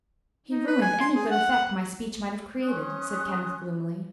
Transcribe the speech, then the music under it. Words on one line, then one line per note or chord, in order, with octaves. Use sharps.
"He ruined any good effect my speech might have created," said Kenneth, gloomily.
D#4
B4
G#5
C6
G#4
F#5
F#5
C#4 C6 D#6 F#6